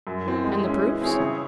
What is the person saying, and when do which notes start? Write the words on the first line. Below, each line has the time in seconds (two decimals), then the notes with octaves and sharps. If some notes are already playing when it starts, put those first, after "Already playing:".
"And the proofs?"
0.07 F#2
0.26 E3 C4
0.45 G#3
0.63 C#4 E4
0.82 E3
1.01 C4 E4 G#4 C#5
1.20 C#3